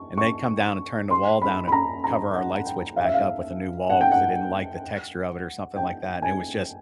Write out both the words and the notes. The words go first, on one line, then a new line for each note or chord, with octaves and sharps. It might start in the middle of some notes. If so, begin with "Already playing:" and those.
and they'd come down and turn the wall down and cover our light switch back up with a new wall 'cause they didn't like the texture of it or something like that, and it was just
Already playing: C#6
C#6
C6
B5
B5
A#5
A#5
F#5
F#5
G5
F5
E5
F5
F#5
G5
F#5
G5
G#5